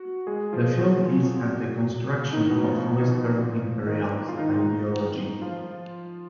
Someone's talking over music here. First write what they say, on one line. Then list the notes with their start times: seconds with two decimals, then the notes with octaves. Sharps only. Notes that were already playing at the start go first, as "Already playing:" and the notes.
The film is a deconstruction of Western imperialist ideology.
Already playing: F#4
0.27 G#3 G#4
0.53 F3 F4
0.79 F#3 F#4
2.33 D#3 D#4
2.50 B2 B3
2.68 F3 F4
3.87 D#3 D#4
4.29 F4
4.39 D#3 D#4
5.42 F3 F4